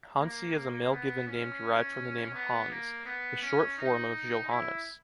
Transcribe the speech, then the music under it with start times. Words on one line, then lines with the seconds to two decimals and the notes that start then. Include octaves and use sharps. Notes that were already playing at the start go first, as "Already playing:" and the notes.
Hansi is a male given name derived from the name Hans, the short form of Johannes.
0.20 A#3
0.91 B3
1.27 C#4
2.34 B3
2.71 A#3
3.05 B3
3.42 C#4
3.78 D#4
4.49 E4